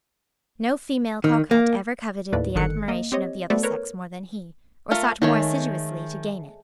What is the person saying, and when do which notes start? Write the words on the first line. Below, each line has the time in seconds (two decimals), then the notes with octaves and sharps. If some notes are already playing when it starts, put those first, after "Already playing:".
No female coquette ever coveted the admiration of the other sex more than he, or sought more assiduously to gain it.
1.24 D#3
1.51 A#3
2.32 D#2 A2 A#3 B4 D5
2.55 G1 D#3 A4 F#6 C#7
2.88 A#3 D#5
3.12 C4 G4 C#5 D#5
3.50 A3 B3 F#4 A4 C5 D5
3.63 A#4 B4 C#5
4.91 A3 F4 A#4
5.22 D#3 G#3 A3 C#5